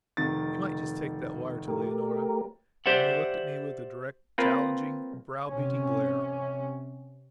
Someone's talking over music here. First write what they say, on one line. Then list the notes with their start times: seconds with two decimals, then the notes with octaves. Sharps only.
"You might just take that wire to Leonora." And he looked at me with a direct, challenging, brow-beating glare.
0.17 F1 D#3 A6
1.68 A3 G4 A#4
2.86 G4 C5 D5 E5 F#5
4.38 A#3 C4 F4 A#4 B4
5.48 C3 C#4